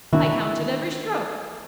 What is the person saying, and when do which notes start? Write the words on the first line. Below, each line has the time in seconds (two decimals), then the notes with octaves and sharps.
I counted every stroke.
0.13 D#3 E3 C4 D4 E4 F#4